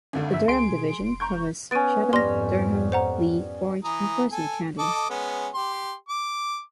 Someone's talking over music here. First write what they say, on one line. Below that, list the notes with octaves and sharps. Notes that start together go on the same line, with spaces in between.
The Durham division covers Chatham, Durham, Lee, Orange, and Person counties.
G#1 D2 D3
G2 E5
C#2 G#4 C6 D7
B2
F1
A#5 C#6 G6
B3 C#4 A6 D7 D#7
F2 G#2 G3 C6 A#6
C5 F#5 A#5
E3 A#5 D#6
A4 G#5
A4 D#5 D6
G#3 B3 C#4
G4 C6
D6